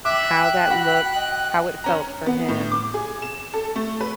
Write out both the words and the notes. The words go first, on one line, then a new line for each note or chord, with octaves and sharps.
How that looks, how it felt for him,
E5 G5 D6 F#6
F#4 B5
D#5
C#4 A#5
B3
A2
D6
G#4
E7
A4
A3
B4